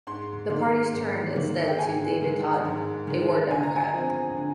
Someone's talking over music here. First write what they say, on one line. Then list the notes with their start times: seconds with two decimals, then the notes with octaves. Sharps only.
The parties turned instead to David Tod, a War Democrat.
0.07 G#2 C6
0.50 D#3 A#3
0.93 G#2
1.36 D#3 A#3
1.68 G5
1.79 G#2 G#5
2.22 D#3 G#3
2.65 G#2
3.07 D#3 G#3
3.50 D3 G#5
3.63 A#5
3.76 G#5
3.94 F3 C4
4.37 D3